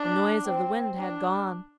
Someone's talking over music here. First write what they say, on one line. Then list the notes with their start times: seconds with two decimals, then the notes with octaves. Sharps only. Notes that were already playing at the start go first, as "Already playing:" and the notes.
The noise of the wind had gone.
Already playing: D4
0.45 C4
0.98 D4